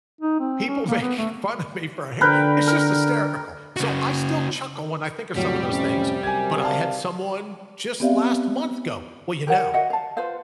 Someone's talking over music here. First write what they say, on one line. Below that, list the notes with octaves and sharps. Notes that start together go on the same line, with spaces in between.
people make fun of me for a hair it's just hysterical. So, I still chuckle when I think of some of those things, but I had someone just last month go, "Well, you know,
D#4
C4
C#4
A#3
B3
A3
D3 A#4 B4 G5
A#4
C#3 F#4
F2 A2 F#3 G3
C3 C#4
C3 F#3 A#4 G#5 G#6
D5 F5 A5
B3 C4 G4 D5 E5 F5
G4 A#4 C#5 F#5
F#4 D#5 E5 F#5
F5 A5
F4 B4 C5 F5